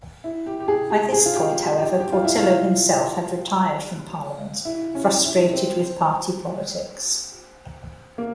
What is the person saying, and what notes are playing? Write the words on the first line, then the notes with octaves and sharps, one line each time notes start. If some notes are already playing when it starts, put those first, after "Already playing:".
By this point, however, Portillo himself had retired from Parliament, frustrated with party politics.
E4
G4
G4
G#4
G#4
G#4
F4
G4
G4
G4
F4
E4
F4
E4
C#4
E4
C4
A#3